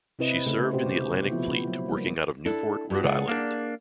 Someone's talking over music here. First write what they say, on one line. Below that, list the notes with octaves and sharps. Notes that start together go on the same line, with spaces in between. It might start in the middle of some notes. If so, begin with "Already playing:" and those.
She served in the Atlantic Fleet working out of Newport, Rhode Island.
C3 C4 E4 B4 D#5
C#3 A3
B2 F#4 G4 C5
F3 B3 E4
F#3 E4
G3 A#3
D4 E4 A4
G2 F#4
C#2 G#4 D5 F#5
A#3 D4